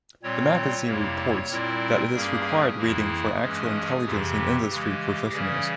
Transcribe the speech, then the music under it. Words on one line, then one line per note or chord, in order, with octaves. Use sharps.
The magazine reports that it is required reading for actual intelligence industry professionals.
A#2 G3 C4 C#5
F2 C3 G3 A#3 E4
A#2 G3 C4 E4 A#4
G2 G3 A#3 C#4 G#4
F2 E3 A#3 E4
G2 E3 G#3 C#4
F2 C3 E3 G4
C#3 E3 G#3
C#3 E3 G3 C#4 G#4